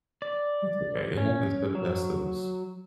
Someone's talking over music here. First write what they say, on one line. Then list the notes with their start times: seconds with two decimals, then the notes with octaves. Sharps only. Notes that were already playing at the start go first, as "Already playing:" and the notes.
That's okay. It happens to the best of us.
0.22 D5
1.17 C#4
1.75 F#3